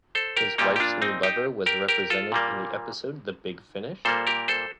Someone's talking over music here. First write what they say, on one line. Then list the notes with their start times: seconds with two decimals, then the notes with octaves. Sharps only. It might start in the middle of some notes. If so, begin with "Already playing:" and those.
His wife's new lover was represented in the episode The Big Finish?
0.15 A4 C5
0.37 G4 A#4
0.58 A#2 G3 A#3 D#4 G4
0.76 G4
0.80 D4 F4
1.02 C4 D#4
1.23 D#4 G4
1.66 G4 A#4
1.88 G4 A#4
2.10 F4 A4
2.32 A#2 G3 A#3
4.05 A#2 G3 A#3 A4 C5
4.27 G4 A#4
4.48 A4 C5